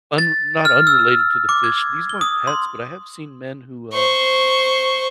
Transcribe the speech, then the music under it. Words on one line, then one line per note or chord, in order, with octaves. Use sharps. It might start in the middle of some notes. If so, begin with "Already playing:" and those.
un not unrelated to the fish, these weren't pets, but I have seen men who, uh,
A6
F6
E6
D6
G#6
G7
D#6
C6
C5 C#6